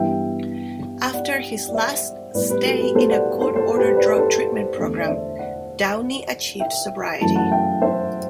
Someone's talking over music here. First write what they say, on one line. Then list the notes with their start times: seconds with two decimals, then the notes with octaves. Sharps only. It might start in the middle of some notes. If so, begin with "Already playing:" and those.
After his last stay in a court-ordered drug treatment program, Downey achieved sobriety.
Already playing: G2 E3 B3 E5 G5
1.13 D5 F#5
1.68 D5
1.74 C5 E5
2.34 A2 G3 B3 B4 D5
2.50 G4 B4
2.65 F#4 A4
2.80 G4 B4
2.95 A4 C5
3.11 D5 F#5
3.41 A4 C5
3.56 A4 C5
3.76 G4 B4
3.96 B4 D5
4.17 A4 C5
4.77 E2 D3 A3 A4 C5
5.00 D5
5.08 C5 E5
5.39 D5 F#5
6.60 E5 G5
7.21 F#2 E3 A3 A5
7.36 F#5 A5
7.51 E5 G5
7.82 C5 E5